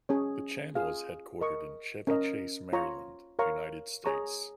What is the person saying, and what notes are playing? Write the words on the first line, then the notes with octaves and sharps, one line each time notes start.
The channel is headquartered in Chevy Chase, Maryland, United States.
C#4 G#4 C#5
F4 G#4 F5
A#4 D#5 C#6
C#4 A#4 D#5
F4 C#5 A#5 C#6
A#4 C#5 F5 A#5 C#6
G#4 C#5 A#5 C#6